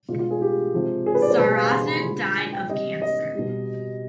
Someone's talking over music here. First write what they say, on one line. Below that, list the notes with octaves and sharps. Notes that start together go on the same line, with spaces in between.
Sarrazin died of cancer.
B2 G#3 F4
F4
G#4
G4
C3 F3 G#3
G#4
B4
D5
C5
B2 G3 B4
G#4
F5
G#5
C6
B5
D3 F3 G#3
G#5
G5
C3 G3 D#5
D#5
B2 G3